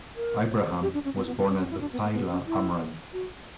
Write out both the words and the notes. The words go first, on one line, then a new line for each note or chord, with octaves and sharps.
Ibraham was born at the Thila, Amran.
A#4
G4
D4
C#4
B3
B3
B3
C#4
C#4
E4
D4
B3
A#3
B3
C#4
E4
F#4